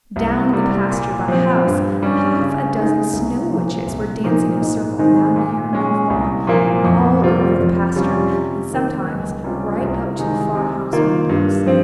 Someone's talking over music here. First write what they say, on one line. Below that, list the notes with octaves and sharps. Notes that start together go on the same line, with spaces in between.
Down in the pasture by the house half a dozen Snow Witches were dancing in a circle, now near, now far, all over the pasture, and sometimes right up to the farm-house windows.
C2
C3 G3
A#2
F3 C4
G2
G3 C#4
C#3
G#3 D#4
C2
A#2 F3
C2
A#2 F3 A#3 D#4
G#2
D#3 G#3 C4 D#4
A#2
G#3 C#4
C2
A#2 F3 A#3
F2
C3 G3 C4 F4
F2
C3 G3 C#4 F4
C3
D#3 A#3
C#2
C3 G3 C#4 F4
C2
C3 D#3 G#3 D#4
C3
D#3 A#3 F4
G2
F3 C4